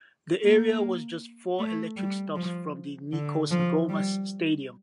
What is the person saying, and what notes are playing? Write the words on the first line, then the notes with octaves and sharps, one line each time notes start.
The area was just four electric stops from the Nikos Goumas Stadium.
A#3
A3
G3
F3
D3
F3
G3